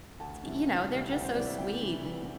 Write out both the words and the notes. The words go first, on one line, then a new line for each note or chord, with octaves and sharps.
t you know, they're just so sweet, and,
D2 A5
C3 E3 G3
D2
C3 E3 G3
D2 G5
C5
C3 E3 G3 D5
E5
D2 G5
C3 E3 G3